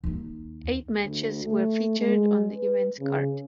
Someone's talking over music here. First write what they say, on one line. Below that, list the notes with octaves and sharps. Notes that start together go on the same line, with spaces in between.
Eight matches were featured on the event's card.
D#2 D#4
D2
A3
G#3
B4
C#3